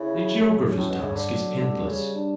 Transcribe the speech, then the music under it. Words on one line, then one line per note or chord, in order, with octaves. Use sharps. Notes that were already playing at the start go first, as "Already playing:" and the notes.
The Geographer's task is endless.
Already playing: C#3 E4
F#3
F#3
A2 C#4
B2
G2 C#3
D3
F#3
D3 G3
C#3 G3
D4